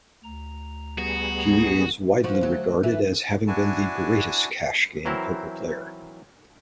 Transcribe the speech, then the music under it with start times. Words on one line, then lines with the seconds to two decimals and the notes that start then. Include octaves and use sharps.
He is widely regarded as having been the greatest cash game poker player.
0.24 D2 A#5
0.98 G3 B3 F#4 G#4
2.24 F3 F#4
2.41 D2 F#3
2.83 E3
3.47 D4 E4 F#4 G#5 A5
5.05 E3 F#3 C4 E4 A#4 C5